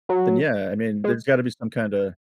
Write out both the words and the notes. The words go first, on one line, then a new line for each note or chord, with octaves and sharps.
Then, yeah, I mean, there's gotta be some kinda
F#3
G#3